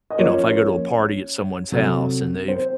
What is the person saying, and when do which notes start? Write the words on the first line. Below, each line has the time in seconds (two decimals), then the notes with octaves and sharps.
you know, if I go to a party at someone's house and they've,
0.10 D#5
0.18 F3 A#3 C#4 F4 A#4 C#5
1.72 C3 F#3 C4 F#4 A4
2.48 C4 C5